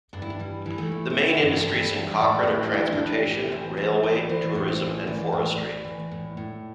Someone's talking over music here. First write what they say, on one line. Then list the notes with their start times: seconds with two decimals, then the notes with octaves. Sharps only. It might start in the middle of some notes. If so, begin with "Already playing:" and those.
The main industries in Cochrane are transportation, railway, tourism, and forestry.
0.13 G2 D4
0.22 E4
0.30 D4
0.39 E3 G3
0.66 E3
0.78 A3
0.92 E3
1.10 C5
1.17 E3 A4
1.37 C5
1.43 G2
1.57 A4
1.69 E3 G4
1.76 A4
1.95 E3 C5
2.17 C5
2.21 A2 D5
2.43 A4
2.47 E3 G4
2.73 A2 E4
2.93 D4
2.99 E3
3.12 G4
3.25 A2
3.32 G4
3.51 E3 C5
3.77 E3 C5
4.03 A2 D5
4.29 E3 C5
4.55 A2
4.68 C5
4.81 E3
5.07 E3 D5
5.33 A2
5.59 A2
5.85 E3
6.12 A2
6.37 A2